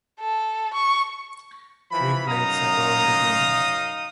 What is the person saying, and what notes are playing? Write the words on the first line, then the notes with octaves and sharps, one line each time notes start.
Three plates adorn the building.
A4
C#6
E3 F3 B5
F#2 D#4 F5 A#5 D#6